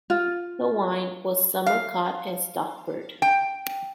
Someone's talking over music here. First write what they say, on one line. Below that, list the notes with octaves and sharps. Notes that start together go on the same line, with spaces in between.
The wine was summer caught and stoppered.
F4
F5
G5